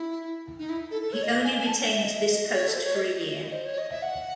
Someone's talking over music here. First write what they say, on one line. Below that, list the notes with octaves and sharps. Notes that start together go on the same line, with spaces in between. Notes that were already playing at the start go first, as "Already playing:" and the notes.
He only retained this post for a year.
Already playing: E4
D#4
E4
A4
A4
C#5
D#5
G#5
G#5
A5
E5
D#5
E5
D#5
C#5
A4
C5
C#5
D#5
D#5
D#5
C5
C#5
D#5
E5
F#5